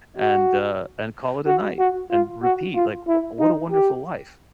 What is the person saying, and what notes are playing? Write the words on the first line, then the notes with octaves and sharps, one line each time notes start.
and, uh, and call it a night, and repeat. Like, w what a wonderful life.
F#4
F#4
F#4
F4
F#4
F4
E4
D#4
G4